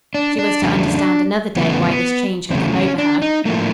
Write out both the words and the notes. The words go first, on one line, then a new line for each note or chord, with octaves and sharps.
She was to understand another day why this change had come over her.
D4
D4
E2 C#3 F#3 A3
E2 C#3 F#3 A3 B3
E2 C#3 F#3 A3 C4
C#4
D4
D#4
A2 F3 A3 A#3